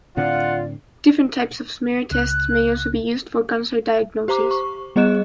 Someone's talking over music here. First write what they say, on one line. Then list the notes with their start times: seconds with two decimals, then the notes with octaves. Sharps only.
Different types of smear tests may also be used for cancer diagnosis.
0.17 A2 D3 C4 F4 D5 F#5
2.11 C#2 F#6
4.28 G4 C5 A#5 D6
4.51 C#6
4.96 G3 B3 G#4 D#5 F#6 E7